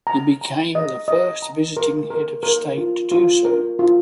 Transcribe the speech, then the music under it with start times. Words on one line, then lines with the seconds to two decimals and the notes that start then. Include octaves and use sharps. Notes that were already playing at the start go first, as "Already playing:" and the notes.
He became the first visiting head of state to do so.
0.07 A#5
0.41 A#5
0.75 D#5
1.08 D#5
1.42 A#5
1.77 A#4
2.10 A#4
2.43 A#4
2.77 F4
3.12 F4
3.45 A#4
3.79 F4